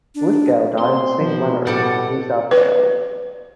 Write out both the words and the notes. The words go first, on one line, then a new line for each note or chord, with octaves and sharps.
Lithgow died in Saint Leonards, New South Wales.
D4
C4 C6
B2 F3
A2 G3 A4 F#5
B4